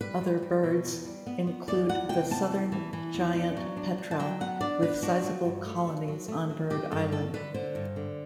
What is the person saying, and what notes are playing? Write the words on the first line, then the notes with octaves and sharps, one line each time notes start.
Other birds include the southern giant petrel, with sizeable colonies on Bird Island.
G3 B4
G3
G3
B2
E2
G3
B3
B3
E2 D5
E2 F#5
C3 G5
B3 A5
E2
E3
E3
E2
D4
F#3
D4
D4
A5
F#3 G5
B3 F#5
D4 D5
B3 B4
D4 F#4
F#3
G2
A3
D4
F#3
A3
F#3
F#3 G4
G2 A4
F#3 A4
D3 B4
D3 C5
G2
D3